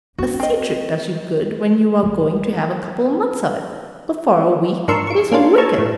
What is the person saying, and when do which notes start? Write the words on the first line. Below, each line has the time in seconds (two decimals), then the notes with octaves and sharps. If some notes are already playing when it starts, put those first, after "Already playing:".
A sea trip does you good when you are going to have a couple of months of it, but, for a week, it is wicked.
0.19 A#3 D4 F#4
0.40 C4 D#5
2.03 A1 G3
4.88 G#2 D4 A#4 C6 C#6 E6
5.07 C#6 D7
5.32 A#3 C#4 D4 F4
5.58 A5 A#5 C#6 E6 F6 G#6
5.78 A2